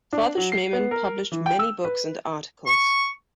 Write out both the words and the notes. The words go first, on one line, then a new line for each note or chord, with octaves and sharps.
Father Schmemann published many books and articles.
D4
F#3
C7
B3
A#4
E3
G5
E6
B4
C#6